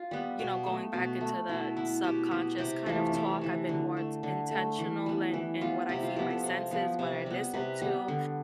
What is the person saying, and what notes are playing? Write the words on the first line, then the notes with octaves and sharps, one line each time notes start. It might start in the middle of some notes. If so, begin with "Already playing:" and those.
you know, going back into the subconscious kind of talk, I've been more t intentional in in what I feed my senses, what I listen to.
Already playing: F4
G3 B3
B2
A3
B2
A3
B2 E4
B3 E4
B2 G4
B3 G4
C3 G4
E3 A3 F4
C3 E4
E3 A3
D3
A3
D3
A3
E3
G3 B3
E3
G3 B3 F4
C3 E4
F4
F3 B3 G4
A4
C3
F3 B3
C3
G3 B3
C3 B4
G3 B3
D3